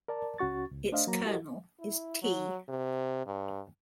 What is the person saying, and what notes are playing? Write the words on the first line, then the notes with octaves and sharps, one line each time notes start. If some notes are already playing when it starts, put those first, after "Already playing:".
Its kernel is "T".
A#4 D5 A5
C#2 C#4 F#4 C#6 A6
C#2
A3 D4 C5 D#5 F5
F#3 A#3 A#5
E4 F#4 G4 A4 A#4 D#5
E4
F#3
C3
G2